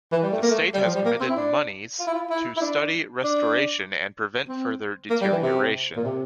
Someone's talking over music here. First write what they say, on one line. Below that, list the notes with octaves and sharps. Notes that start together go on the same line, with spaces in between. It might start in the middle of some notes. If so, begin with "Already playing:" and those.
The state has committed monies to study restoration and prevent further deterioration.
E3
G3
A3
A#3
A3
G3
F3
G3
A#3
C4
E4
D4
F4
E4
F4
E4
E4
D4
D4
C4
A#3
G3
E3
C3
A#2
C3